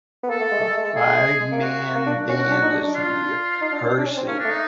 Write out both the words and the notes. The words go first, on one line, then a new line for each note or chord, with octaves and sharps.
A five man band is rehearsing.
B3
A#3 A4
A3
G#3
A3
G#3
A3
G#3
A3 G#4
G#3
A3
G#3
G#3
A#3
F#4
A#3
D4
C#4 F#4
C#4
D4
D#4
D4
D4
F4
D#4
D4
C#4
D4
C#4
C4
A#3 C#4
D4
A3
D#4